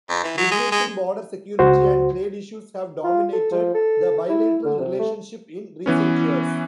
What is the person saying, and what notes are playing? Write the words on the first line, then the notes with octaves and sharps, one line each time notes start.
Migration, border security and trade issues have dominated the bilateral relationship in recent years.
F2
E3
F#3
G#3
G#3
C#2 F#4 C5
F4
A4
F3
A4
E4
D3
C3
A3
E3 B3 C#4